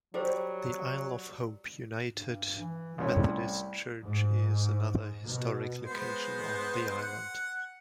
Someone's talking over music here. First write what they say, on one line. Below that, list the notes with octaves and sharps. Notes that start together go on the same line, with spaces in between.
The Isle of Hope United Methodist Church is another historic location on the island.
F#3 G3 G4 G#4 C5
G2
E3
C2 A2 G3 C#4
G#2
B2
G#3 B3 C5
F#5